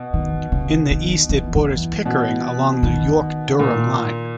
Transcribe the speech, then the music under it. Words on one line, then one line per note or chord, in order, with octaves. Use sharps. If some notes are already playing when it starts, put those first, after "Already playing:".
In the East it borders Pickering along the York-Durham Line.
Already playing: B2
D#3
C#3
D#3
E3
E3
B2
D#3
A#2